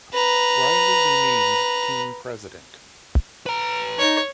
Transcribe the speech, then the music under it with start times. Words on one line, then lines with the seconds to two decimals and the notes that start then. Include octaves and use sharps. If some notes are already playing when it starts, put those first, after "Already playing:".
Riley remains team president.
0.14 B4 A#5
3.46 B4 A#5
3.98 D#4 C#5